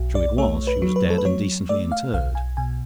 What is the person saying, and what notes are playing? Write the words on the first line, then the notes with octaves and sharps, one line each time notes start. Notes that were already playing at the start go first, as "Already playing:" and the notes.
True it was, she was dead and decently interred.
Already playing: B1
D5
A3 C#5
B4
F#3
B4
A4
B4
F#3 C#5
A3 D5
F5
B1 F5
G#5
B2 G#5